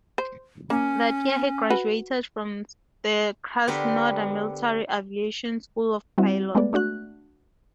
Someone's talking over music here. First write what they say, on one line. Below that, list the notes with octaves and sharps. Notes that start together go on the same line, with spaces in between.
That year he graduated from the Krasnodar Military Aviation School of Pilots.
C5
A#3 C#4
F#4 B4
D3 B3 G4 A#4 C5 B5
G3 C4 E4 F#4
G#3 A3 B3 B4 D5
A3 D4 F#4 F#6